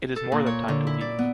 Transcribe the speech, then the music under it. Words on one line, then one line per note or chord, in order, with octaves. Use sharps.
It is more than time to leave.
A4
A#2
C#5
D3
E4
D5
B3